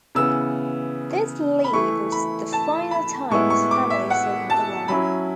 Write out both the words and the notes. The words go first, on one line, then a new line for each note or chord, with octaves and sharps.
This leave was the final time his family saw him alive.
C#3 E3 B3 E6
B5
E3 A3 E4 C#6
B5
A5
B5
A2 G#3 B3 E4 C#6
C#6
D6
E5
F#5
A5
F#3 C#4 E4 B5